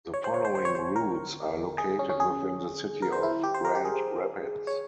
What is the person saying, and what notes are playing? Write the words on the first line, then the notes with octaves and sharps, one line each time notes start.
The following routes are located within the city of Grand Rapids.
C#5
C5
C#5
C5
C5
C#5
C5
A#4
G#4
C#4
C#4
G#4
A#4
C5
E4
G4
C5
A#4
G4
G#4
C#5